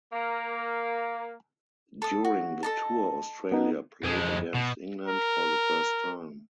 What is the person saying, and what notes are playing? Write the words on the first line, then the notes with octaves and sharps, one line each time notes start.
During the tour Australia played against England for the first time.
A#3
A4 D#6
F#4
A4 D#5 A5
B3 D#4
F2 G#3
B2
A#4